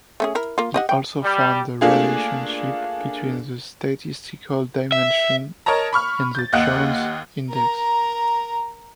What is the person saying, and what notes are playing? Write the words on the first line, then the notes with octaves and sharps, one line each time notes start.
He also found the relationship between the statistical dimension and the Jones index.
A3 C#4 G#4
E4 A#4
A#3 F4
G4 D#5 F#5
G5
G3
A3 A#3 D4 F4 G#4
E5
A#4 C#5 D#5 A5 A#5
B5 C#6 F6
G6 A6
D#2 D#5 F5 F#5 F#6
A#4 A#5